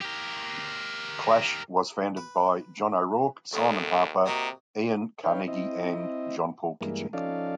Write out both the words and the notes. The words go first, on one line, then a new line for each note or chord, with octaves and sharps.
"Clash" was founded by John O'Rourke, Simon Harper, Iain Carnegie and Jon-Paul Kitching.
G4 A#4
B4
D#2 A3 B3
C3 A#3 D#4 F#4
D#4 B4 C#5 F5 G5
C4 E4 D#5
G2 E3 G#3 A#3
F3 C#4 D#4 A4 D5 F5